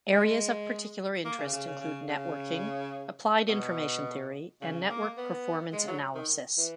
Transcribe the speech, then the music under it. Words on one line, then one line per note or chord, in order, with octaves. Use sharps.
Areas of particular interest include Networking, Applied Information Theory and Network Performance Analysis.
G#3
A#3
C#3
C#3
C#3
C#3
C#3
B2
C#3
A#3
B3
G#3
F#3
D#3
E3